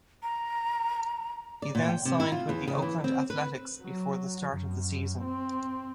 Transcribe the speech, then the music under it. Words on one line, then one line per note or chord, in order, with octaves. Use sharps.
He then signed with the Oakland Athletics before the start of the season.
A#5
D5
A#2
G5
C3
E4
F4
E2
C#3
E3
C4
B4
F#3
F#2
C4